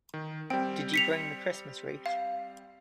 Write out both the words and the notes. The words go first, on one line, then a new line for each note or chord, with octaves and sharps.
Did you bring the Christmas wreath?
D#3
G3 C4 G5
B6 C#7 F7
F5